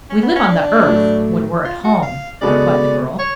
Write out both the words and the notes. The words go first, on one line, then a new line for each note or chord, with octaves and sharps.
"We live on the Earth, when we're at home," replied the girl.
C#4
B3
C#4
D4
A2 F#3 A3
F4
F#4
F5
C#3 G#3 B3 F#4 A4 D5
C#5